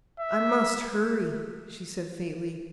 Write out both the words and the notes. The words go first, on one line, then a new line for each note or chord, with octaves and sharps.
"I must hurry," she said faintly.
E5